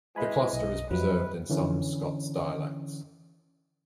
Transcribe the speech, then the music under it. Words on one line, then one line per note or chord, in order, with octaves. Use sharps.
The cluster is preserved in some Scots dialects.
E3 G#3 G#5 B5
B1 D#5
F2 C3 F3 F#3 B4
D3 E3 C#4